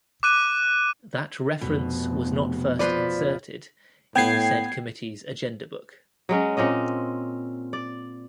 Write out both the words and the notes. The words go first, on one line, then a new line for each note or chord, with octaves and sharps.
That reference was not first inserted in the said committee's agenda book.
D6 F#6 D#7
F1 B2
F3 B4 D5 C6
A2 B3 B4 G5 G#6 C7
F#3 G#3 C#4
A#2 C4 C#4 D#5
D5